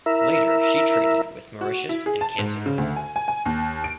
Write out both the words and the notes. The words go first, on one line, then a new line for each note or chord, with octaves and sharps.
Later she traded with Mauritius and Canton.
E4 A#4 E5
F#4
E4
G#4
A5
G#2
C#3
D2
G#5
G#5
G#5
D#2
D7